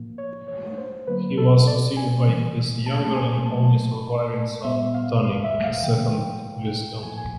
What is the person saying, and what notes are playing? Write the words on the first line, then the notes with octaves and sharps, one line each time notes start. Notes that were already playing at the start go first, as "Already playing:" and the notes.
He was succeeded by his younger and only surviving son, Tony, as second viscount.
Already playing: A2 F3 A#3
C#5
C#5
C5
D3 F#3 A#3 B4
A4
D5
G#5
C3 E3 G3 A#3
A5
G#5
A#2 F#3 A3 A5
A#2 G3 B3 E5
F5
F5
E5
F5
D3 F3 A#3 G5
A#2 F3 A#3 G#5
G#5